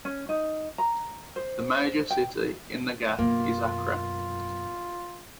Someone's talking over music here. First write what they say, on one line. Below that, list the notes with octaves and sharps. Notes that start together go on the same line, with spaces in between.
The major city in the Gap is Accra.
C#4
D#4
A#5
C5
G5
F#2 B2 A#3 F4